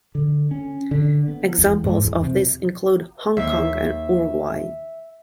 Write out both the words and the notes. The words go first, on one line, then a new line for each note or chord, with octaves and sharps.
Examples of this include Hong Kong and Uruguay.
D3
C#4
D3
B3
E2
G#2
E2
C3
D#2 E5